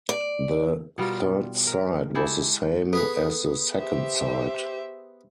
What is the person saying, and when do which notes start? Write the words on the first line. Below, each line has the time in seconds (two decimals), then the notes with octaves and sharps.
The third site was the same as the second site.
0.09 D5
0.98 B2 G3 F4 A#4
1.67 A#4
2.15 G#3 E4 G4 A4
2.93 B3 G#4 A4 B4
3.76 G4 C5 E5